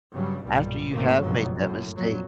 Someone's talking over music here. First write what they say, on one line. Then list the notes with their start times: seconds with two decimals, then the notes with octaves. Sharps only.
after you have made that mistake
0.13 G2 C#3 F#3 G3
0.45 B1 G2 A#2 G3
0.90 G#1 G#2 A3 A#3 C4
1.21 F#1 C#2 G2 B2 F3 F#3
1.56 F#2 A2
1.96 F2 A#2 F#3